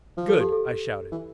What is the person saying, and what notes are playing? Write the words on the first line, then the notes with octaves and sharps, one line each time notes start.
"Good!" I shouted.
F3
A4
G4
A4
E3